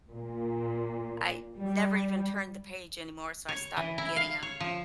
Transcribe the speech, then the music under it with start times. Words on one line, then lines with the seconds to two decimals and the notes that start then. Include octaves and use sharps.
I never even turned the page anymore so I stopped getting 'em.
0.11 A#2
1.56 G3
3.49 C#5
3.77 E3
3.98 E4
4.16 F5
4.43 C#5
4.60 F3